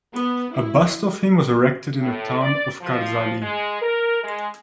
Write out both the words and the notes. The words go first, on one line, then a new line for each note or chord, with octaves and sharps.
A bust of him was erected in the town of Kardzhali.
B3
E4
A2
D5
F3
G#3
A#4
G#3